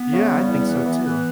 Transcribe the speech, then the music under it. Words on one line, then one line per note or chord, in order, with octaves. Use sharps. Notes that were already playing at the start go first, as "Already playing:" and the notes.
Yeah, I think so too.
Already playing: B3
C#3
G3
E2
E3
E3
E3